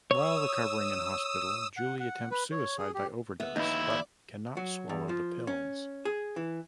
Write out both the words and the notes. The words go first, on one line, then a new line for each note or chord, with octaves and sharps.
While recovering in hospital, Julie attempts suicide by overdose, but cannot swallow the pills.
C#5 D#6 E6
F#5
F#5
B4
C#5
G#4
G4
B3 E5
D#2 D#4 E4
D5
F#3
E2
F3
C#4
G#4
E3